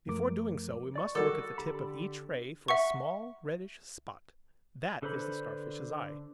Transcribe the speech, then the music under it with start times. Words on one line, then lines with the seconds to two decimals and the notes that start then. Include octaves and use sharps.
Before doing so, we must look at the tip of each ray for a small reddish spot. That is the Starfish's eye.
0.07 F#2 F3 A3 A#4 D6
0.96 D5 C#6
1.15 D#3 F#3 G3 F#4 A4 D6
1.58 D3 G4 B5
2.68 E5 F#5 C#6
5.02 D3 A4 B4 C5 B5